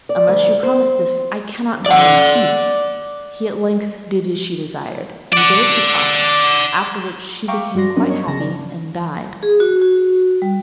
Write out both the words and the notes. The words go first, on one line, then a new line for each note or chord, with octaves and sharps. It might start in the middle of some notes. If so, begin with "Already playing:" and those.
'Unless you promise this I cannot die in peace,' he at length did as she desired, and gave the promise, after which she became quite happy and died.
D5
D2
C5
D5 F#5
D5 F#5
E5 F5 G5 A#5 C#6 D6
G2 G3 F#4 D5 C6 A#6
F#3 B3 C#4 D4 A#4 D#5
C#5 D#5 C#6
G1 C#3 A5 A#6
D5
G#4
F#4
F#4
G3